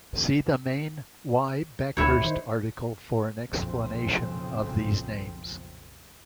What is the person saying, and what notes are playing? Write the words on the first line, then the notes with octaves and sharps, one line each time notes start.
See the main Y. Bhekhirst article for an explanation of these names.
D2 E4 F#4 C#5
D#3 C5
B1 F2 A#2 C#3 C4